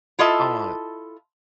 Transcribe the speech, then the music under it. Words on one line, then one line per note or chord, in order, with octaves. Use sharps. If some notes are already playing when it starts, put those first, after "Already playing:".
I want
E4 F4 A4 D#5 E5 A5